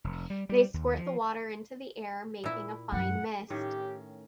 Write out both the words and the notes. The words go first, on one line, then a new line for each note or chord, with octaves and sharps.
They squirt the water into the air, making a fine mist.
F1
G3
G3
D#2
F3
A#2 E4
F#2 F#5
A2 D#3 C#4 G4